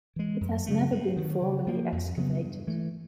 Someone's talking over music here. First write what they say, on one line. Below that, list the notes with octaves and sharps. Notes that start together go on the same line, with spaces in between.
It has never been formally excavated.
E3 G#3
F#2
C#3 F#3 A3
G2
D#3 F#3
C#3
F3 A#3
F2
C#3 F#3 B3
G2
E3 A3